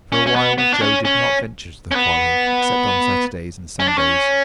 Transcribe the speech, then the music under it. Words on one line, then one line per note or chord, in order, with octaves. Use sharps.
For a while Joe did not venture to the quarry except on Saturdays and Sundays.
C#4
C#4
B3
B3
D4
C#4
C#4
C#4
B3
C#4
D4
C#4